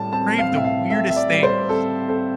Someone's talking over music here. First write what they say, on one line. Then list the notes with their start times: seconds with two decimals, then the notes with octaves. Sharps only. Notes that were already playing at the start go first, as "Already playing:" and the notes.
crave the weirdest things,
Already playing: A2 G3 A5
0.12 C4 A5
0.38 F5
0.52 A2 E5
0.64 F5
0.90 A2 E5
1.09 E5
1.16 D5
1.30 G3
1.43 C5
1.69 C4 A4
2.08 C4 A4